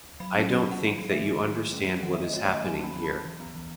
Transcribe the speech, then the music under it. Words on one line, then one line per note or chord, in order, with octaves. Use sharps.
I don't think that you understand what is happening here.
F#3 B5
C#4 A5
F#3 B5
C#4
F#5
D#3
F#3
A3 E5
D#3
F#3
A3
C#4
F#3
D#3 F#5
E5
A3 D#5
C#4 C#5
C#5
D#3 D#5
F#3 G#5
A5
C#4 B5
F#3 B5
B5
C#4
E3
B3
E3